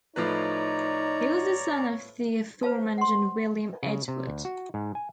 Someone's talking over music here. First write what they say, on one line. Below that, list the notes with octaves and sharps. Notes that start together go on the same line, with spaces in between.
He was the son of the aforementioned William Edward.
A2 F3 D#4 B4 C#5 D5 A#5
B4 C5 F5 A5
F#5 C6
C#3
C3
D2
F#4
G#2
G#5